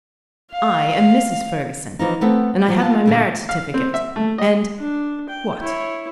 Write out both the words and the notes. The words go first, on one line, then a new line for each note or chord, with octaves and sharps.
I am Mrs. Ferguson, and I have my marriage certificate, and--What!
F5
E3 F3 D#4
A3 B3 C4 A4 F#5 G5
F3 F#3
F4 A5
A#2 D3 G3
F5
C4
E5
A3
D#5
D4
G5
E4 C#5